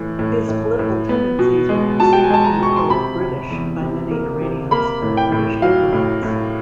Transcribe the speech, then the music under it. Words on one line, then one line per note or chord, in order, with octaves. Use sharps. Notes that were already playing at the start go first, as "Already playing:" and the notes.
His political tendencies were perceived to be pro-British by many Iranians and British diplomats.
Already playing: A2 E3
A2
A2
A2
B3
B2
G#3
B2 A5
G5
G#5
G#3 A5
A#5
B2 C#6
C6
C3 B5
C3
E2
C3
A#3
C3
A#3 B5
A2
G5
A2
F#3 F5
A2
A2